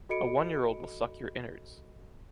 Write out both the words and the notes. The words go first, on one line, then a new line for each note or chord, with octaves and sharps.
A one-year old will suck your innards.
F#4 A4 D#5 B5 C#7 D7